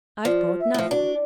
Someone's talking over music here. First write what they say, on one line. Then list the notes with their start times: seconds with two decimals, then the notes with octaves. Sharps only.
'I've brought nothing.
0.25 F3 D5
0.60 E5
0.74 A2 F3
0.91 D4 F#4